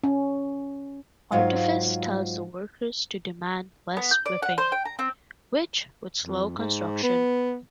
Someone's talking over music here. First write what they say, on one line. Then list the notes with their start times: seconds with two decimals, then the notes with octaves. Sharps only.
Artifis tells the workers to demand less whipping, which would slow construction.
0.04 C#4
1.31 G#2 F#3 F4 F5
3.97 B3
4.11 G6
4.26 D5
4.42 F#5
4.58 C5
4.72 G5
4.85 A#5
4.99 C4
6.23 F2
6.57 G#2
7.03 B3